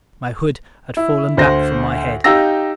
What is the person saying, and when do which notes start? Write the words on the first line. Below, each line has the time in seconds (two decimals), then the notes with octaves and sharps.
My hood had fallen back from my head.
0.97 E4
1.37 D2 C5 A#6
2.24 D#4 G4 F5 E6 A#6